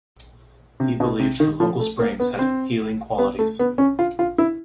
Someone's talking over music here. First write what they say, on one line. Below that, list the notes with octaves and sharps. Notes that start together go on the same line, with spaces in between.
He believed the local springs had healing qualities.
C3
B2
C3
D#3
F3
A3
A#3
B3
C4
B3
A3
B3
C#4
F4
F4
E4